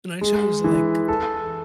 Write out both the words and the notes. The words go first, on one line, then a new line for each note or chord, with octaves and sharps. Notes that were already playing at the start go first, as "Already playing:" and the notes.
And I chose, like,
G#3
E3
A4